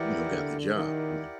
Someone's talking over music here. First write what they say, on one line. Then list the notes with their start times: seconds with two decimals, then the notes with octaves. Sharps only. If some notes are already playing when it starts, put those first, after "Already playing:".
you know, got the job, you know
Already playing: E3 E4 G4 A#4 D5 F#5
0.30 D3
0.74 D#3 E4 G4 A#4 D5 F#5